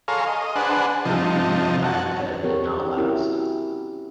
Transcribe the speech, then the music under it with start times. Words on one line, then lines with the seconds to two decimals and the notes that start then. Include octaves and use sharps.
The reunion of Diamond Head did not last.
0.08 G#4 A4 C#5 F5 A#5 C6
0.27 D#5
0.56 D4 G#4 B4 C5 F#5 A5
1.05 C3 F3 D#4 A5
1.84 F#4 A5
2.43 C4 G4 A#4 C#5
2.97 C#4 E4 F#4 G4 A#4